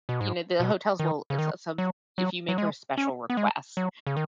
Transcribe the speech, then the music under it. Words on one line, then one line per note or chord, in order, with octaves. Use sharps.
you know, the hotels will if s s some if you make her a special request,
B2
G#2
B2
D#3
C#3
D#3
F#3
F#3
F#3
G#3
C#4
B3
G#3
F#3
C#3
D#3